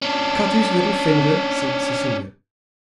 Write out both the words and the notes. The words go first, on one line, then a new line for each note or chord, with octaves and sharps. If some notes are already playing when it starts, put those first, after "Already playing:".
"Cut his little finger," said Cecilia.
C#4 D4